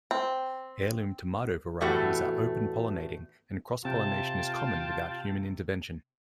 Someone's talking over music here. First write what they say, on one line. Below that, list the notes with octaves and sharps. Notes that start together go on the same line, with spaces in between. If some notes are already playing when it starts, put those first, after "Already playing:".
Heirloom tomato varieties are "open pollinating", and cross-pollination is common without human intervention.
C4
E2 A2 A3 F#4 G4
C3 F4 G5 A5